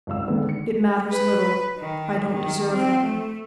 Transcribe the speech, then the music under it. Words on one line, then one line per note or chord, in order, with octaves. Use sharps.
It matters little; I don't deserve them.
G#1 C#2 F5 E6
D3 D#3 G#3 B3 D4
C#7
B4
D#3
D#3
C4
A3